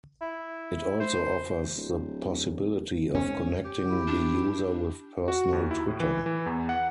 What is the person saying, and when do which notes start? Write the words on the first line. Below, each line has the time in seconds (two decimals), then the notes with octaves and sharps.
It also offers the possibility of connecting the user with personal Twitter.
0.21 E4
1.00 C5
1.76 D1
3.15 G#2 C#4
3.65 G4
3.89 E4
4.07 D4
5.28 F#4
5.53 D#2
5.71 E4
5.88 A2
6.00 E3
6.26 E3
6.46 E2
6.69 F#5